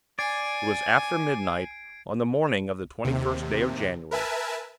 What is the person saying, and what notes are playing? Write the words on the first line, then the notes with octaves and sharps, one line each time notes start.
It was after midnight on the morning of the twenty-first day of January.
D5 G#5 G#6 C7 D7
D#2 C3
A#4 B4 E5 G#5 A5